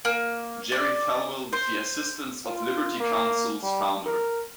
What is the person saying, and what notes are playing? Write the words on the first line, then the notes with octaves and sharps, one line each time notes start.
Jerry Falwell with the assistance of Liberty Counsel's Founder.
A#3
D5
C5
F4
A#3
G3
A#4